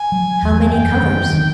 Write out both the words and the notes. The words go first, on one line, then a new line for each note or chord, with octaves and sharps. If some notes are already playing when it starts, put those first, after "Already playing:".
"How many covers?"
Already playing: G#5
F#3
E2
F#2 G5
D#3
D#3